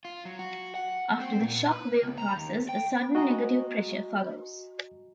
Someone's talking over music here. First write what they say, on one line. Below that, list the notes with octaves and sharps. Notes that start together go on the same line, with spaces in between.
After the shock wave passes, a sudden negative pressure follows.
F4
F#3
F#4
F#5
C4
A#2
B4
C#2
A#5
D#2
G5
F#4 D#5 G#5 A#5